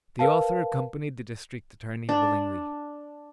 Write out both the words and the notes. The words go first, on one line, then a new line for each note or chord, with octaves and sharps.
The author accompanied the district attorney willingly.
A#4 B4 F5 A5
D4